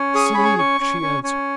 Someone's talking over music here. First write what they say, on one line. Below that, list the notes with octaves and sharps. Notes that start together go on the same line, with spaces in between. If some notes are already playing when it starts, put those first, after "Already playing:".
"Sleep!" she answered.
Already playing: C#4
G#4 D#6
C#6
C#4 B5
C#6
C#4 C#6
C#4
C#4
C#4